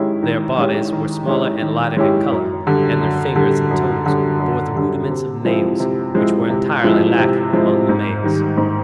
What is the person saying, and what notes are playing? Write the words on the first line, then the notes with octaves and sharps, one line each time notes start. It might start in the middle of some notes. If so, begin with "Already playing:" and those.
Their bodies were smaller and lighter in color, and their fingers and toes bore the rudiments of nails, which were entirely lacking among the males.
Already playing: D#3 G#3 C#4 E4 G4
D#3
G#3 C#4 E4 G4
D#3
G#3 C#4 E4 G4
D#3
G#3 C#4 E4 G4
F#2
D3 G3
F#2
D3 G3
F#2
D3 G3
F#2
D3 G3
C3
F3 G#3 C4 E4
C3
F3 G#3 C4 E4
C3
F3 G#3 C4 E4
C3
F3 G#3 C4 E4
G#2
D#3 G3
G#2